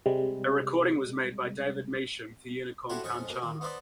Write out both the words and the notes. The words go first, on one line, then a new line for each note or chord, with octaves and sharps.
A recording was made by David Measham for Unicorn Kanchana.
C3 G3 G#3
E4 F#4 G4 A4 C5 C#5
F2 G#2 C#4 G#4 D#5 C#6
B2 A#3
D#3
B3 D#4 C5 D5 B5